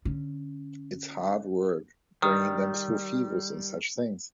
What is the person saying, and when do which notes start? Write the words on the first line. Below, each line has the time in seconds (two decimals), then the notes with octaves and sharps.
It’s hard work bringing them through fevers, and such things.
0.05 D3 C#4
2.22 D#3 G3